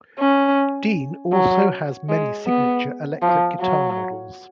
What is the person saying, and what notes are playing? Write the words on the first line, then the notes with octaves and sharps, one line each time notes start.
Dean also has many signature electric guitar models.
C#4
F#3
G#3
B3
F3
F#3